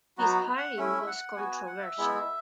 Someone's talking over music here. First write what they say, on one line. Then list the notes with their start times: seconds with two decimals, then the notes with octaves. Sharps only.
His hiring was controversial.
0.17 F#3 B3 D#4 F#4
0.57 F#5
0.77 A3 C#4 E4 E5
1.07 F#5
1.37 B3 F#4 G#5
1.52 G#5
1.67 F#5
1.82 E5
1.97 G#3 B3 E4